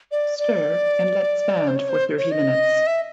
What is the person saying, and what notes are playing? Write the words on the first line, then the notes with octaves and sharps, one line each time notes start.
Stir and let stand for thirty minutes.
D5
D5
C5
C#5
C5
C#5
D#5
E5